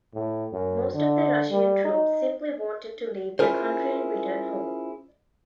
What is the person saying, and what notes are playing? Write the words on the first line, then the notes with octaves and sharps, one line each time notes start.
Most of the Russian troops simply wanted to leave the country and return home.
A2
F#2
D3
G3
D#4
C#4 E4 F4 G#4 A#4 C5